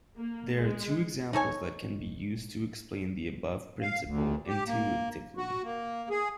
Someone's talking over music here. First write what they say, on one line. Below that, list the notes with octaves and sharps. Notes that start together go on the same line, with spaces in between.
There are two examples that can be used to explain the above principle intuitively.
A#3
G#3
D#4 A4 C#5 G#5
F5
D2
G4
A#3
F#4
A#3
G#4